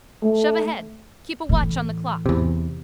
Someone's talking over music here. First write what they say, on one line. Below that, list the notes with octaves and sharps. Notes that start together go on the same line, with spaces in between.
Shove ahead. Keep a watch on the clock.
A3
A2 E3
E2 C3